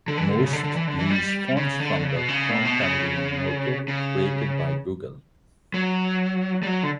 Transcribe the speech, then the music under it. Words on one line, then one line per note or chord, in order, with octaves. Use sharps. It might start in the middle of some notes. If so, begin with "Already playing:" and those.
Most use fonts from the font family Noto, created by Google.
D3
E3
D3
C#3
D3
D3
E3
D3
E3
G3
C#3
D3
C#3
B2
C#3
A2
B2
C#3
C#3
F#3
G3
F#3
D3